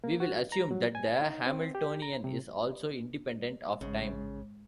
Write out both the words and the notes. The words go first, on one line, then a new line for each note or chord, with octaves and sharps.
We will assume that the Hamiltonian is also independent of time.
A#3
F#4
A#5
F#3
G#5
D#4
C4
G4
A#5
C3
A1 G#2 C#3